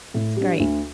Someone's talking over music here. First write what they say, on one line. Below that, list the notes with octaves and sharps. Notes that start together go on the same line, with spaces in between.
that's great.
A2
G3 D4
D2